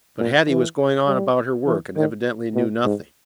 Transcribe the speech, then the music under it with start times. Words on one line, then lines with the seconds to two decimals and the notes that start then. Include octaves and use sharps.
But Hattie was going on about her work and evidently knew nothing.
0.19 A#2
0.48 E3
1.07 G3
1.67 E3
1.96 D#3
2.55 B2
2.85 G#2